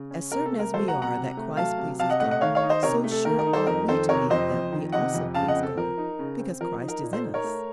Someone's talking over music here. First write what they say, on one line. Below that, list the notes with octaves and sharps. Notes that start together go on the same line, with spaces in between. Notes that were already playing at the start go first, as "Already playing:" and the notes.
As certain as we are that Christ pleases God, so sure ought we to be that we also please God, because Christ is in us.
Already playing: C#3
C#4
C3 A#4
A4
A3
A#4
F#3 A4 C5
F#5 A#5
C3
F#5 A#5
C3
A3
F#3 F5 A5
C3
C3 F5 A5
D#5 F#5
A3 D#5 F#5
D#5 F#5
D#3 C#5 F5
C#5 F5
D#4
C5 D#5
C3 A#4 C#5
A3
A4
D#3 A#4
A#4
D#4
A4 C5
F2 A#4
D#3 A4 C5
C3 A#4 C#5
F2 C5 D#5
F2
D#3
C3 D#5 F#5
F2
C#3 F5 A5
D#5 F#5
C4
A4
F3 A#4
D#4
C#3
C4
F3 A#4
D#4
A#4
A#2
A4 C5
D#4
A#4 C#5
A3